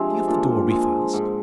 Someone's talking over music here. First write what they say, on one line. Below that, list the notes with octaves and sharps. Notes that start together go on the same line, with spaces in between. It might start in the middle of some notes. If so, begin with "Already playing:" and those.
See if the door be fast.
Already playing: C3 F3 G#3 C4 D4
A#2 D4
G#3
G#2